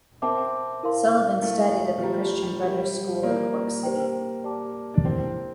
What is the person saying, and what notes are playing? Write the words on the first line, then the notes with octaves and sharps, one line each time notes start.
Sullivan studied at the Christian Brothers school in Cork city.
C4 A#4 E5 A5 D6
E4 A#4 F5 C6
A3 E4 A#4 F5
F3
G3 F4 C5 G5 A#5
G3
G3
G3 F4 A#4 E5 G5
A#3 F4 A#4 D5
G4 C5 G5
G4 D5 A5 D6
D4
C4 E4 G4 A#4